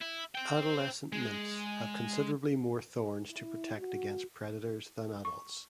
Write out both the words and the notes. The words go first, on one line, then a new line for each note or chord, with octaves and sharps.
Adolescent nymphs have considerably more thorns to protect against predators than adults.
E4
C5 G5
G#3
E4
F#4
C#6